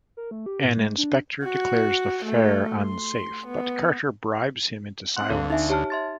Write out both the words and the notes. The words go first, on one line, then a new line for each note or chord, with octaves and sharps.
An inspector declares the fair unsafe but Carter bribes him into silence.
A#4
A3
G4
A2
G#3
D4
F#4
A3
C6
B3
C4 F#5 C6
D2 A4 F5
D#4 E5 G#5
G4 C#5 A5 F6
E5 C6 A6